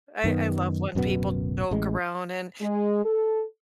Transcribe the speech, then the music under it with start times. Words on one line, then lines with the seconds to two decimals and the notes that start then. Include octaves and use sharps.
I I love when people joke around, and
0.24 F#2 D#3 B3
0.95 D1 F#2 B2 B3
1.71 A1 G#3
2.61 G#3
3.04 A4